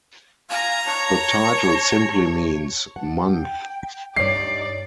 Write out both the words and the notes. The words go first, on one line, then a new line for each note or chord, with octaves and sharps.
The title simply means "month".
F5 G#5 A#5
C#5 A5
F#5 A5
G5
G2 D#4 C#5 D5 C7